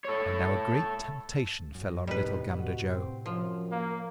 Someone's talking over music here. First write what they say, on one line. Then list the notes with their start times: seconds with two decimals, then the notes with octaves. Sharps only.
And now a great temptation fell on little Gander Joe.
0.04 A4 C#5
1.75 F#2
2.07 A2 C3 G3 D#4 B4
2.59 F#4
2.94 C4
3.26 F#2 F3
3.71 A#3